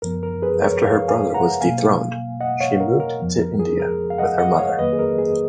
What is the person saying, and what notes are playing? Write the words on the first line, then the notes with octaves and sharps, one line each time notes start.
After her brother was dethroned, she moved to India with her mother.
F#2 F3 B3 A#4
A#4
G#4 B4
A#4 C#5
C#5 F5
F5 G#5
F#5 A#5
B2 F#3 A#3 F5 G#5
D#5 F#5
C#5 F5
A#4
A#4
F2 F3 B3
A#4
G#4
A#4
F5
D#5 F#5
D#5 F#5
C#5 F5
F2 D#3 F#3 A#3 B4 D#5
G#4
A#4
G#4